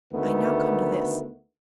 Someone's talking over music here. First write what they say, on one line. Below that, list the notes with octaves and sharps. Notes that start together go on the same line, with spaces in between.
'I now come to this.
D2 D#3 A3 B3